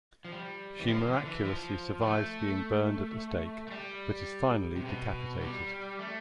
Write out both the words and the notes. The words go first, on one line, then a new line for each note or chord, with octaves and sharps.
She miraculously survives being burned at the stake, but is finally decapitated.
F3
G3
E3
F3
D3
E3
F3
A3
A3
G3
C3
B2
G3
A3